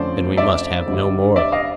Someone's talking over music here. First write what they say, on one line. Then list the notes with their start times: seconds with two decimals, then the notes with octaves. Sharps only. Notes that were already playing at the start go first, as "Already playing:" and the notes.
Then we must have no more of them.
Already playing: F2 D3 F3 A3 C#4 C5 D5
0.37 D5 E5
0.86 G#1 G2 D3
1.36 D5 E5
1.52 D#5 F5